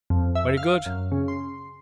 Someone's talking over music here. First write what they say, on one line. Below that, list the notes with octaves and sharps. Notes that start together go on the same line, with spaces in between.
Very good.
F2
E5
F5
F#2
C#3
C6